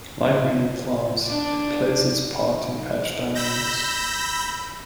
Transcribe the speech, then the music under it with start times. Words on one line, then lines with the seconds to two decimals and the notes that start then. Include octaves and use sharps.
Like many plants, it plays its part in patch dynamics.
1.25 D4 D5
3.35 B5 E6 G6 A#6